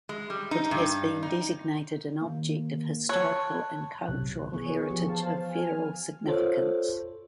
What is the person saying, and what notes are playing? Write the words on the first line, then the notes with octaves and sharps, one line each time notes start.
It has been designated an object of historical and cultural heritage of federal significance.
G#3
G3
D#4
G2
D#4
D#3 A#3
C#5 A5 F#6
B1 C3 F#6
E3 B3 E4 G#4 C#6
F4 C#5
F3 G4
C5 F5 A5
G#5 F6
F4 A4 C5 C#5